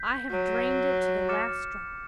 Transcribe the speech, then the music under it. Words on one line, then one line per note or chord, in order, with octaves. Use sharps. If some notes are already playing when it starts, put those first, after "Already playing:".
I have drained it to the last drop.
Already playing: G6 B6
F#3
D6 F6 A6 C#7 E7